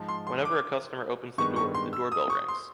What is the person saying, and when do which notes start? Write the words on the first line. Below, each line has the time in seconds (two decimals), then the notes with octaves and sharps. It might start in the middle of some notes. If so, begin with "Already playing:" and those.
Whenever a customer opens the door, the doorbell rings.
Already playing: G#2 F3 G#3
0.08 C6
0.27 C6
0.45 D6
1.38 G2 D#3 G#3 B3 C#6
1.56 C#6
1.75 C6
1.93 E6
2.12 D#6
2.30 C#6
2.48 C6